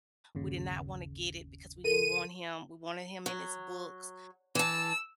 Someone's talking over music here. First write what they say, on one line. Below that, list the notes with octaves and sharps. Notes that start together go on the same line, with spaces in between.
We did not wanna get it because we didn't want him we wanted him in his books."
G1 D#2 C#3
A4 A#4 D#7
F#3
E3 A5 E6